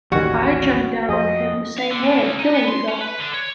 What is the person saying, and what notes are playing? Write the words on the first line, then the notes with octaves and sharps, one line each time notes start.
I jumped down on him the same way, killing the guy.
A1 D#2 D#3 G3 C#4 F#4
F2 G#4 C5 D#5
F5
D3
A2
C#2
D#4
B3
C6
C#4
B4
D3
C#5